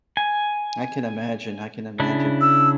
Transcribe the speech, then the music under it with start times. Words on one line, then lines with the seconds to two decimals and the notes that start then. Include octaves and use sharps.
I can imagine, I can imagine.
0.17 G#5
2.00 C#3 D4 E4
2.41 E6